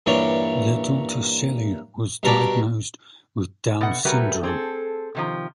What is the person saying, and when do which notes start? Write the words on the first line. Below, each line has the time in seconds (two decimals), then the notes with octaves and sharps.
Their daughter, Shelley, was diagnosed with Down syndrome.
0.06 G2 A#2 E3 C#5 D5
2.23 G2 B2 A#4 A5 B5 D6
3.81 B2 F#5
4.05 F#3 G3 A3 F#4 A#4 B4
4.43 C4 G#4 A4
5.15 C3 D#3 F3